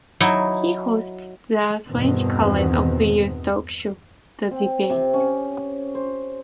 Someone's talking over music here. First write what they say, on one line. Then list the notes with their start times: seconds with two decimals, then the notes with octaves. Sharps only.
He hosts the French current affairs talk show "The Debate".
0.20 F#3 D#4 E4
1.87 E2 G2 B2 D#3 C4
4.51 C4
4.90 C3
5.13 C#4
5.95 C5